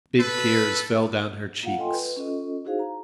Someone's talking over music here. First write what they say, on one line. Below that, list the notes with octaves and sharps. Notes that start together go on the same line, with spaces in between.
Big tears fell down her cheeks.
A4 B4
A#3 F4 F5 F#5
F4 A4 D#5 G5 G#5 C6
B4
C#4 F4 A4 D#5
D#4 E4 F#4 G#4 C5 F5
A#5